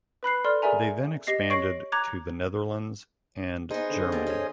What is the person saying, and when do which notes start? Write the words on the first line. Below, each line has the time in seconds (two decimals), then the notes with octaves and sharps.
They then expanded to the Netherlands and Germany.
0.23 B4 B5 F#6 C7
0.44 A4 D5 C6 F6
0.62 G#4 A#4 D5 E5 G#5 A#5
1.27 G4 D#5 A#6 C7
1.50 C#5 C#6 A#6 C7 D7 F#7
1.92 A#5 D6 F#6 G#6
3.70 B3 D#4 G#4 C5 D#5
3.90 D3
4.12 D#2
4.27 C#4